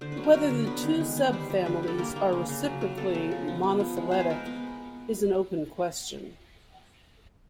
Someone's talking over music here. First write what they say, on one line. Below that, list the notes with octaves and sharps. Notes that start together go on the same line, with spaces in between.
Whether the two subfamilies are reciprocally monophyletic is an open question.
D3 C5
B4
F#3
A#4
F#3 A#4
D3
B3 B4
D#3
G#3
B3
G3 C5
G3
D3 B4
G3 A4
A#3 A#4
A#3
C#3
C#3
F#3
F#3
B3 A4
C#3
F3
B3
B3
F3
G#3
B3 C5
B4
G#3 A#4
B3